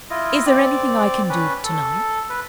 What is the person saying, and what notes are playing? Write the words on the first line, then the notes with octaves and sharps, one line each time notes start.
"Is there anything I can do to-night?"
E4 F4 D#5
C4 D5
C#4 B4
A4
B4